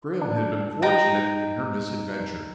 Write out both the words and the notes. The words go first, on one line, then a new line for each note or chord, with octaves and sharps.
Grim had been fortunate in her misadventure.
D4
D#4 G5